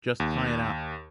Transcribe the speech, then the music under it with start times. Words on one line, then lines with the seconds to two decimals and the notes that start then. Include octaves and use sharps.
Just tie it up!
0.20 D#2